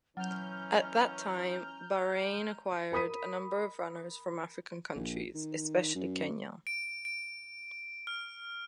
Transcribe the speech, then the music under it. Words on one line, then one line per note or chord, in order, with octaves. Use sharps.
At that time Bahrain acquired a number of runners from African countries, especially Kenya.
E3 F#3 C#4 A#5 F6 G6
A#4 B5 D#6 B6 D#7
A#1
D#3
F#2
D7
D7
F6